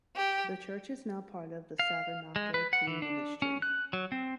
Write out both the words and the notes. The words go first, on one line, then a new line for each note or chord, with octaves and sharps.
The church is now part of the Savernake team ministry.
G4
F5
G#3
B4
F#5
E3
D4
C#4
F#6
F#3
C4